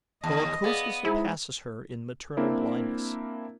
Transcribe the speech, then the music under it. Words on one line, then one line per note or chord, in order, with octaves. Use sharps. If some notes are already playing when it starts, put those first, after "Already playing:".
The Lycosa surpasses her in maternal blindness.
D#2 D#5
B3 G#4 D5 F5
G#3 D#4 E4 G#4 C5
A#3 C4 D4 E4 A#4